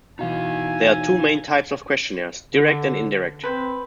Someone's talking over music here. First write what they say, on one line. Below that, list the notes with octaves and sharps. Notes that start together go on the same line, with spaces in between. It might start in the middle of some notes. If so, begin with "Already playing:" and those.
There are two main types of questionnaires; direct and indirect.
B2 E3 D#4 F5 G#5
D3
C4 B4 C5